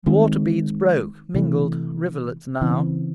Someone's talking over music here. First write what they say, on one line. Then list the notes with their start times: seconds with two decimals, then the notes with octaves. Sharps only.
The water-beads broke, mingled--rivulets now.
0.06 D#3 G#3 C4
1.34 C3 E3 A3
2.61 C#3 E3 C4